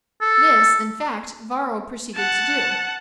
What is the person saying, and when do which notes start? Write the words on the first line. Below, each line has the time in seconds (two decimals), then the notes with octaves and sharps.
This in fact Varro proceeded to do.
0.22 A4
2.16 F#5 A5